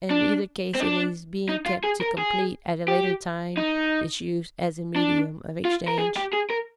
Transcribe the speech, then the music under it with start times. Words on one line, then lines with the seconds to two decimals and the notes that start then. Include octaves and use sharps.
In either case it is being kept to complete at a later time its use as a medium of exchange.
0.11 D4
0.75 C4
0.80 D4
1.49 D#4
1.66 F4
1.84 G#4
2.01 A#4
2.18 G#4
2.88 G4
3.57 D#4
4.96 D4
5.65 F4
5.88 A#4
5.99 G#4
6.17 G4
6.33 G#4
6.50 A#4